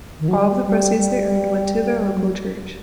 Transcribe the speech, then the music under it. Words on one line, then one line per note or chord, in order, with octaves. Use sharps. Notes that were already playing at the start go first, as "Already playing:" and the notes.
All of the proceeds they earned went to their local church.
D#3
F#3
G3
G3
G3
F#3